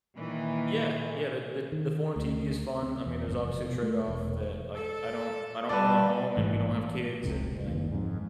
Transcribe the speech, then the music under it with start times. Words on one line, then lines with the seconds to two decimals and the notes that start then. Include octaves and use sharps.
Yeah, yeah, the the the foreign TV is fun, I mean, there's obviously a trade-off that like, I don't I don't own a home, and we don't have kids, and like,
0.16 A#2 D#3 E3
1.72 D#3
2.16 D2
2.82 C4
3.06 E2
3.27 G1
3.43 F1
3.64 B2
3.83 A3
4.08 E1
4.75 A4
5.69 B2 D3 G3 F4 A4 B4 D5
6.37 A1 G#2 E3 G#3
6.73 A#2
7.23 F1 C#2 C3
7.67 F#1 D#2
7.92 F2 G#2